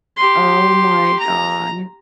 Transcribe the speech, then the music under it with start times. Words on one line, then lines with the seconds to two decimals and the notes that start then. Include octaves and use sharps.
Oh my god.
0.17 G4 C6
1.19 A#5